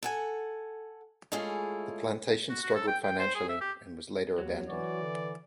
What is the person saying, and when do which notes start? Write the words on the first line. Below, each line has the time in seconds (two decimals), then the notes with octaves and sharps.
The plantation struggled financially and was later abandoned.
0.03 A4 F#5 G#5
1.32 G#3 A3 C#4 E4 F4 G#4
2.50 F#4
2.62 F#4
2.75 A4
2.88 G5
3.03 G5
3.19 C5
3.35 G#4
3.49 E5
3.61 G4
4.38 D#2 F#3
4.69 E3 F#4 D5
5.02 D3